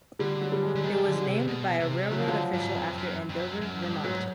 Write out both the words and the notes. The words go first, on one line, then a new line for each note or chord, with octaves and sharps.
It was named by a railroad official after Andover, Vermont.
D3 G3
F#3
G3
G#3
D3
D#3 G#3
D3
C3
B2
C3
C#3 F#3
F3
D3 F#3
G2
G#2
F2
F#2
F2
F#2
F#2
G2
G#2 F#3